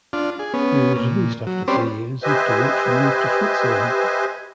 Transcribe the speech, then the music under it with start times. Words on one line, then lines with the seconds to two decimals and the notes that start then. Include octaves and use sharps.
He was released after three years after which he moved to Switzerland.
0.13 D4 F4
0.39 G#4
0.54 B3 C#4
0.96 A#2
1.47 F#3
1.68 C4 C#4 G4 B4 C5 D5
2.23 G4 B4 C5 D#5 E5 G#5